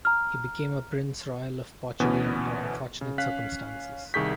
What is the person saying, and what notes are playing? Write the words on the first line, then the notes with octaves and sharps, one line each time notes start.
He became Prince Royal of Portugal under unfortunate circumstances.
A#5 F6
D2 B2 E3 B3 C#4
C#3
C#4 F5 F#6 B6
C2 D#3 G#4 C#6 G6 B6